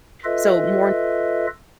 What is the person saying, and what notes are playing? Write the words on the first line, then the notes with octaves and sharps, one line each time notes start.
So, more
F4 A4 B4 D#5 E5